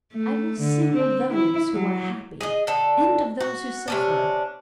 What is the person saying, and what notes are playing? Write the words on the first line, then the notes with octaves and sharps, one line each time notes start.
I will sing of those who are happy and of those who suffer.
A3
D3
C4
E4
F#3
G#4 D#5
D3 A4
F#4
C3 C#4 D4